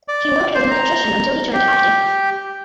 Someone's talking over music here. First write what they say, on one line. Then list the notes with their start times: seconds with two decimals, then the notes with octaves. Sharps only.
He worked as an electrician until he turned to acting.
0.08 D5
0.55 C5
0.71 A#5
1.53 G4